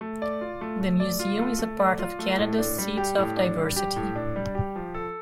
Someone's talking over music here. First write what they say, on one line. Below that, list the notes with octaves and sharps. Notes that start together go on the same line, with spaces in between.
The Museum is a part of Canada's Seeds of Diversity.
A3
D5
F4
A3
A3
D5
F4
A3
A3
D5
F4
A3
A2
D4
G3
G4
A2
D4
G3
G4
A2
D4
G3
G4
F3
A4